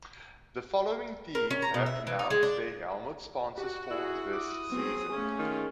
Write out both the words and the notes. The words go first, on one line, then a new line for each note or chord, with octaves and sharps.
The following teams have announced their helmet sponsors for this season.
A#4
C#4
A#5
B2
E5
E3
D#4
G#3
D4
F#4 G4
E4 G#4
D6 D#6
F#3 B3 C4 G#4
A3 A#3 C#4 G#4
D#3 F4